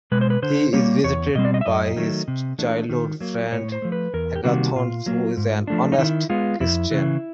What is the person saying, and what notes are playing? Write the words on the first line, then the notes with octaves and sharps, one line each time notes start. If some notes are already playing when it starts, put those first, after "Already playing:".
He is visited by his childhood friend Agathon, who is an honest Christian.
B2 G#3 B4
C5
B4
D3 C5
G3 A#3 C#5
E2 C#5
B2 G3 C4 D#5
D5
D#5
E5
F#2 D#5
D#3 F#3 A3
C3
E3 A3 D4
D#3
F#3 A#3
A2 C#5
C5
F3 A3
B4
E2 A#4
G4
C3 D#3 G3 A#3 F#4
A#2 F4
F#3 A#3
G#2
F3 A3 D4
D#4
D#3 E4
G#3 B3 F4
F2 E4
C#3 E3